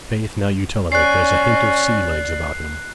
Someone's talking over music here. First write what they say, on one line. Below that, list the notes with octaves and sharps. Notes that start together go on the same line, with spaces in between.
'Faith, now you tell of it, there's a hint of sea legs about him.
C#4 D5 F#6 C7